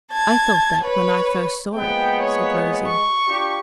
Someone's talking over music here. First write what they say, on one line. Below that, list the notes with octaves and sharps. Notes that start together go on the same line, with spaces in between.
"I thought that when I first saw it," said Rosy.
A5 G#6
B4 C#5
F3 G#3 A#3 B3 G5
C#5
C#6
D4 F4 G4